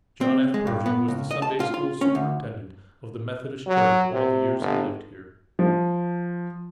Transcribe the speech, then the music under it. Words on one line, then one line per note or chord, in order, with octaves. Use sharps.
John F. Pershing was the Sunday School superintendent of the Methodist Church all the years he lived here.
C4
G#3
G2
B3
C#2
D#5
A5
F4
F4
C#4
D2
F#3
C3
G1
F3